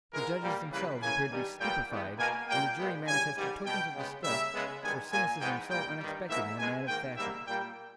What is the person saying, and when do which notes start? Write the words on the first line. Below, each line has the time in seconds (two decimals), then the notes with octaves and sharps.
The judges themselves appeared to be stupefied, and the jury manifested tokens of disgust for cynicism so unexpected in a man of fashion.
0.13 G#2 E3 G#3 A#4
0.42 A#2 G3 A#3
0.71 C#3 E3 G3 A#3 B4
1.00 C#3 E3 A#3 G#5
1.30 G2 D#3 G3
1.59 A#2 G3 B3 G5
1.89 G2 E3 G#3 B3
2.18 B2 A#3 G#5
2.47 A#2 G3 A#3 G5
2.77 A#2 G#3 B3
3.06 C#3 E3 G3 G#5
3.36 G#2 D#3 G3
3.65 B2 G3 B3 G5
3.94 C#3 G#3 B3
4.23 C#3 G3 A#3 E5
4.53 C#3 G#3 B3
4.82 G2 D#3 G#3 B3 G#5
5.12 A#2 A#3 G#5
5.40 G#2 E3 G#3 B3 G5
5.70 A#2 G3 A#3 G5
5.99 G2 D#3 G3
6.29 G#2 E3 A#3 E5
6.58 B2 G#3 B3 G#5
6.87 G#2 D#3 A#3 G5
7.17 G#2 G3 A#3 E5
7.46 A#2 G3 A#3 G5